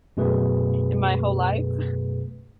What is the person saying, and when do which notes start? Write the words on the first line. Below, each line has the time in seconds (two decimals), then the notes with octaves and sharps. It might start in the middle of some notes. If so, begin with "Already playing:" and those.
in my whole life. S
0.17 F#2 B2 A3 G#4 B4